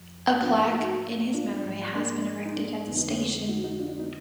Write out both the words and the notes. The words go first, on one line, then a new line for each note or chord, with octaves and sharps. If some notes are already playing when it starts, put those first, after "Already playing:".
A plaque in his memory has been erected at the station.
Already playing: F2 F3
G#2 F3 D4 F4
D#4 F#4
D4 F4
G#2 F3
A#3 D4
D#4
A#3 D4
F2 D3 F3 B3 D#4
B3 D#4
A#3 D4
G#3 B3
D#4 F#4
D#4 F#4
D4 F4
D#4 F#4
B3 D#4